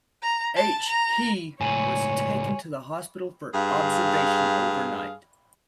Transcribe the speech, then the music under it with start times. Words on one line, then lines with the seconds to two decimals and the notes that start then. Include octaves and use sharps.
H He was taken to the hospital for observation overnight.
0.22 A#5
0.57 A5
0.88 A#5
1.61 C#2 A2 C#5 G#5 D#7 F#7
3.52 G2 G#4 F5